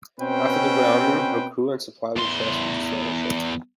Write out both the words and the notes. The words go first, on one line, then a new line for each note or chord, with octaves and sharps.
After the grounding her crew and supplies were transferred to smaller ships.
B2 C4 C#4 B4 C5 G5
E2 C6